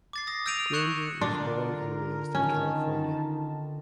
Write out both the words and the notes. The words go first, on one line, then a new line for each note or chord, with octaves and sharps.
Grainger was born and raised in California.
D6 A6 C7
D#6 A#6
E6 G6 A#6 D7 D#7 F7
C#6 F#6 G#6 C#7 E7 F#7
D3 D4 F4 A#4 C6
D#3 C#4 A5